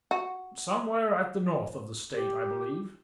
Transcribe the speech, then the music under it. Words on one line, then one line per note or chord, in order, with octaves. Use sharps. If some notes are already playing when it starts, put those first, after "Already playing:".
"Somewhere at the north of the State, I believe."
F#4
G4